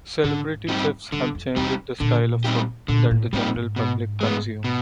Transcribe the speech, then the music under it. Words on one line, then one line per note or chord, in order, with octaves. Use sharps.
Celebrity chefs have changed the style of food that the general public consume.
G#2 D3
G3 C4 D#4 G4
G2 D3
F2
E2 G3 C4 D#4 G4
A#2 D3
G3 C4 D#4 G4
A#2 D3
A2
G#2 G3 C4 D#4 G4
G#2
B2
G#3 B3
B2